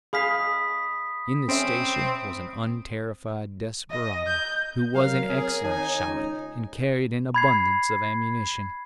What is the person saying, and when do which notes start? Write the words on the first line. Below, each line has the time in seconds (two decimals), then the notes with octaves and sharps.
In the station was an unterrified desperado who was an excellent shot and carried an abundance of ammunition.
0.13 G#4 F5 B5 D#6 B6
1.48 C4 C#4 E5
3.90 D#5
4.27 G6
4.95 F#3 A#4 C#5 F5
5.30 C4 G#4
5.64 D#3 D#4 G#5
6.06 C#2
7.34 B5 G#6 C7